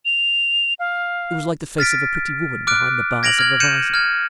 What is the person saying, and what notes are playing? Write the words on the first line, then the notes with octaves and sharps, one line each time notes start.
It was like the face of a pretty woman behind the bars of a visor.
F7
F5
F6 A6 B6 D7
D6 F6 F#6 D7
G#6 A#6 D7 F7 F#7
F6 G#6 F#7
G6 C#7 D#7 E7
F6 G#6